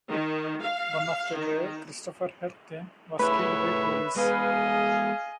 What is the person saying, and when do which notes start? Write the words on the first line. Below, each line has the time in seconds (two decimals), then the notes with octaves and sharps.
One of the trio, Christopher "Herc" Thien, was killed by police.
0.10 D#3
0.62 F5
1.36 D#3
3.19 A3 E4 G#4 B4 C#5 E5
4.16 G#3 B3 G#4 D#5 F5 G#5